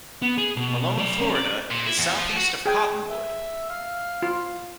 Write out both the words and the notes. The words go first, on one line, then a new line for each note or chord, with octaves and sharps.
Malone, Florida, is southeast of Cottonwood.
B3
G#4
B2
F#3 D5
C4 C#4
D5
A#2
E4
E2
F3
F#4
G#4 G5 G#5
E5
F5
F4